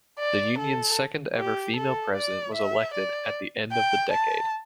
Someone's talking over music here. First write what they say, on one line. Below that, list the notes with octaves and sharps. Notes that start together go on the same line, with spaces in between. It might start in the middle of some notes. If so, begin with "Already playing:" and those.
The Union's second ever female President was elected at the end of the decade.
D5
A4
G4
A4
D5
E5
D5
G5
A5